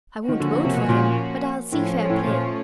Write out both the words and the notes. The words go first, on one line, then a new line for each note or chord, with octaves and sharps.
I won't vote for him; but I'll see fair play.
D#3 F3 A#3 C#4 F#4
D3
D3
C3
B2
A#2
A2 F3 A3 C#4
A2
A#2